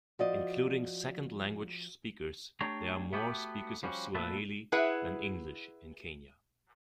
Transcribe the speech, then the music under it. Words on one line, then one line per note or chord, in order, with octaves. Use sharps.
Including second-language speakers, there are more speakers of Swahili than English in Kenya.
F3 F#4 D5 D#5
A3 D4 G4 C#5 A#5
A3 B3 F#4 G4
F3 G3 C#4 F#4
A#2 A3 F#4 B4 E5 A5
E4 G#4 B4 E5 F#5